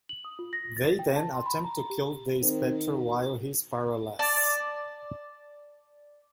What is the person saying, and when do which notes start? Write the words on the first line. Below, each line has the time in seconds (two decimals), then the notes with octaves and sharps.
They then attempt to kill the Spectre while he is powerless.
0.09 F#7
0.25 D#6
0.39 F4
0.53 A#6
0.77 A6
0.99 G5
1.16 A5
1.34 C6
1.46 B5
1.65 A#5
1.90 G4
2.42 D#3 C4
2.95 F#4
4.19 D5 A5